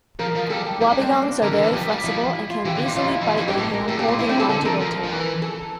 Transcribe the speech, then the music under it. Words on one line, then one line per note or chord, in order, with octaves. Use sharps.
Wobbegongs are very flexible and can easily bite a hand holding onto their tail.
F3 A#4
F3
G3 A4
G4
G3 E4
D4
C4
A#3
D4
D3 A#4
D3
E3 A4
F3 G4
G3
F3 E4
E4
F4
E3 G4
D3
C3 F4
F2 F4
E4
F2
E2
F2 E4
G2 G4
A2 A4
A#4
A2 A4
A#2 G4
A2 F4
C3 E4
D3 C4
C3 A4
D3 A4
F3 A#4
F3
F3
E3
A4